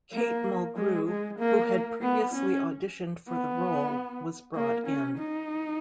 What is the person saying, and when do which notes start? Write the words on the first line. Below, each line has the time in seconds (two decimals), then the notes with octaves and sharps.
Kate Mulgrew, who had previously auditioned for the role, was brought in.
0.13 A#3
0.77 G#3
1.09 G#3
1.39 A#3
2.02 B3
2.34 C#4
3.29 B3
4.56 A#3
4.87 C#4
5.18 D#4